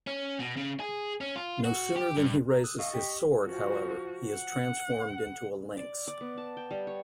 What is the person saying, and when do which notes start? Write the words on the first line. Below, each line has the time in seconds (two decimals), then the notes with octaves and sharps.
No sooner than he raises his sword, however, he is transformed into a lynx.
0.07 C#4
0.40 B2
0.56 C#3
0.80 G#4
1.21 C#4
1.36 F4
1.64 F#4
1.96 G4
2.17 G2
2.50 A#5
2.64 D#6 E6 F#6
2.79 A2 D#5 F5 C#6
2.93 G4
3.45 F3 F#4
4.31 F#5
5.77 D5
6.07 D5
6.21 B3
6.37 A5
6.57 G5
6.71 G3
6.87 C#5